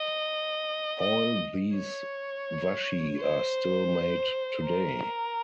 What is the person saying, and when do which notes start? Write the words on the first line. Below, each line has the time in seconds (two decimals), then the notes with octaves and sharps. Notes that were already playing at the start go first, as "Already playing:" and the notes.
All these washi are still made today.
Already playing: D#5
1.00 D#5
1.74 C#5
3.20 C5
4.67 A#4